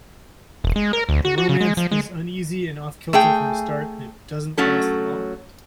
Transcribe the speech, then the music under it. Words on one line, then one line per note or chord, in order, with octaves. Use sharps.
The romance is uneasy and off-kilter from the start, and it doesn't last long.
E1
G#3
A#4
D2
F#4
F#4
C#3
G#3
F3
G#3
A3 G#4 G5
F#3 A3 C#4 A4